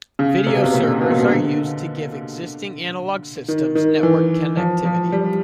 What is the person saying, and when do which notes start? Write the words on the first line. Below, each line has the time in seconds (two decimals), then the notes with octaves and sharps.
Video servers are used to give existing analog systems network connectivity.
0.19 C#3
0.46 C3
0.55 B2
0.64 C3
0.73 A#2
1.01 B2
1.10 A#2
1.18 B2
1.29 D3
3.48 D#3
3.75 D#3
4.03 E3
4.57 F3
4.85 F3
5.12 G3